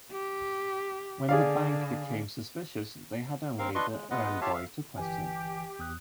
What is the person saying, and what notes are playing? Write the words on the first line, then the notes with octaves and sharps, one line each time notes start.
When the bank became suspicious, they had only the errand boy to question.
G4
D3 G#4 D5 F5
D#2 C4 A#4 F5
D4 F4 B4 D#5 C6 C#6
G#3
G#3 B3 F4 B4 D#5 F#5
F4 G4 C#5 E5 F5 A5
E5 F5
G1 E3 G4 G#5
E2 D#6 F#6